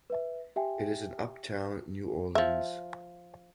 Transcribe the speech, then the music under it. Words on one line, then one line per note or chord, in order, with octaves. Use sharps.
It is in Uptown New Orleans.
B4 E5
G4 E5 G5 G#5
F3 E5